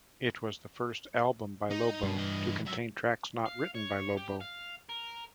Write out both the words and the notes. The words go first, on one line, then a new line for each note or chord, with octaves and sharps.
It was the first album by Lobo to contain tracks not written by Lobo.
D#4
G2 B2
E3 D#5
F#2 E5
F5
C#5
G4
F5
A#4